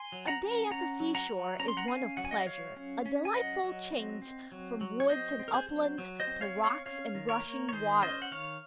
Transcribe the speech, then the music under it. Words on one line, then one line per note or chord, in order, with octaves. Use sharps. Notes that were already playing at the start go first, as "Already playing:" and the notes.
A day at the seashore is one of pleasure, a delightful change from woods and uplands to rocks and rushing waters.
Already playing: G#5 C6
F#3
F#5 A#5
C#4
C#4 F#5 A#5
F#3
F#5 A#5
F#3
C#4 A#5
C6
F#5 A#5
C#4 F5 G#5
F#3 F#5
G#5
D#5 F#5
F#3 C#5 F5
C#4
C#4
G#5
F#3 D#5 F#5
F#3
C4
C4
F#3
F#3
C#5
C4 C5 D#5
C4
A#4
G#4 C5
F#3
F#3
C5 D#5
C4
C#5 F5
C4
C#5 F5
C#4 C#5 F5
D#3
A#4 C#5
A#3
C#5
D#3 G#4 C5
C#4 C5 D#5
F#5
D#3 C#5 F5